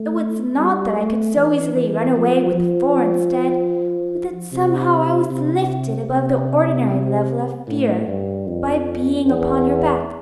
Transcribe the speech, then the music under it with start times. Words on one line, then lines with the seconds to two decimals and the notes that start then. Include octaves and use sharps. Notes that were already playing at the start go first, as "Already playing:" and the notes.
It was not that I could so easily run away with four instead, but that somehow I was lifted above the ordinary level of fear by being upon her back.
Already playing: A3
0.58 G3
0.96 A3
1.36 E3
1.75 E3
2.16 F3
2.54 F3
4.52 C3
5.31 C3
6.09 C3
7.68 A2
8.08 G2
8.47 F2
9.26 E2